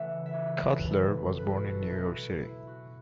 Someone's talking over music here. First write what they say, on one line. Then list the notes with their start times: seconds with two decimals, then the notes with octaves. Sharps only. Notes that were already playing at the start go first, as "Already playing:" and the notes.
Cutler was born in New York City.
Already playing: C#3 E3 A3 E5 F#5
0.26 E5
0.33 C#5
0.60 B4
0.67 A4
0.76 B4
0.85 B2 F#3 A3 A4
1.38 B4
1.47 A4
1.56 F#4
1.66 A4
1.81 E4
1.89 B2 A3 F#4
2.42 E4
2.67 F#4